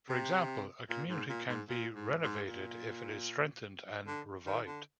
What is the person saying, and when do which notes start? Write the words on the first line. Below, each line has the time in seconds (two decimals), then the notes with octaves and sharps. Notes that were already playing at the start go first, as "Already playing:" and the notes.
For example, a community can be renovated if it is strengthened and revived.
0.09 C3
0.90 A#2
1.09 G#2
1.29 A#2
1.48 G#2
1.69 A#2
1.95 G#2
2.22 G#2
2.48 A#2
4.07 D3
4.46 D#3
4.67 D3